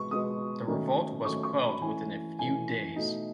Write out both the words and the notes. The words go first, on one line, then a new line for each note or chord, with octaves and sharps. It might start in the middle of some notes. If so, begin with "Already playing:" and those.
The revolt was quelled within a few days.
Already playing: B2 G#3 B3 C#6
B2 G#3 B3 D#6
D#3 F#3 A3 C#4
D#3 F#3 A3 C#4 C#6
C#6
B5
E3 A3 C#4 G#5
E3 A3 C#4 G#5
B2 A3 D#4